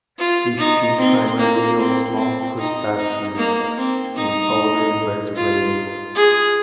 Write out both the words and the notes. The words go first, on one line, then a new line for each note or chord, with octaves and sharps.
They feed primarily on small crustaceans and other invertebrates.
F4
D#4
C4
A#3
C4
C4
D#4
D#4
A#3
C4
D#4
F4
G#4